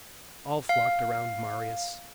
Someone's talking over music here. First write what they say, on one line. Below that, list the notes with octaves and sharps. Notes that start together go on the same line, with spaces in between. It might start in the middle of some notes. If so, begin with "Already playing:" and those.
All flocked around Marius.
F5